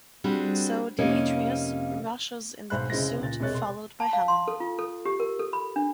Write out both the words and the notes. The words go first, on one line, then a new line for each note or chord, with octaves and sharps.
So Demetrius rushes in their pursuit , followed by Helen.
G3 C4 D4 F#4 G#4
F2 C3 A#3 C#4 D#4
B1 G#2 C5 B5 F#6
F1 C#3 G#3 E4 C5 A#6
C#2 A#2 A6
E1 C3 G#3 C#5 F#6 A6
C6
A5
F5
C6
A4
F4
A4
G4
A#4
A4
B5
D4